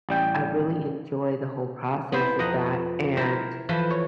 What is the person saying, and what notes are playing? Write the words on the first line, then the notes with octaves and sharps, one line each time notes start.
I really enjoy the whole process of that, and
A1 G3 G5
B3 E4 C5
F2 D#5 F#5 A#5
E4 A#4 C5 E5
E3 F3 E4 A4 B4
C#5